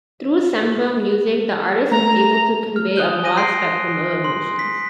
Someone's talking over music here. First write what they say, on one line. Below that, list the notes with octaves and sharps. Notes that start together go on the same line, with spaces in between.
Through Semba music, the artist is able to convey a broad spectrum of emotions.
A3 A#5
F6
D#6 F#6 G6 G7
G#5 A#6 D#7
C6 F#6 C7 D7
C6
B6